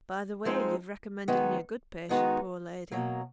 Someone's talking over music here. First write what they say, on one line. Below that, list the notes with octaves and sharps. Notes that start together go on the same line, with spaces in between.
'By the way, you've recommended me a good patient, poor lady!
F3 G#3 C4 D#4
D#3 G#3 B3 D#4 F#4
D#3 G#3 B3 D#4 F#4
B2 F#3 A#3